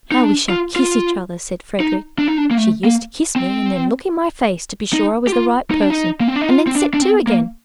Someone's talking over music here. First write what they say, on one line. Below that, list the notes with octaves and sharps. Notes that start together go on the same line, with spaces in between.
How we shall kiss each other!' said Frederick. 'She used to kiss me, and then look in my face to be sure I was the right person, and then set to again!
D#4
D4
F4
F4
D#4
D4
D#4
D4
A#3
A3
A#3
C4
D#4
G4
F4
D#4
D4
D#4
A#3
C4
D4
D#4
F4
C4
D4
D4
C4
A#3